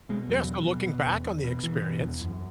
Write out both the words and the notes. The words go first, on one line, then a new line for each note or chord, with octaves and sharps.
Yes, so looking back on the experience,
B2 G#3
E2 F#3
B2
B2
B2
E2
E2
B2
B2 E3
B2
E2
F#2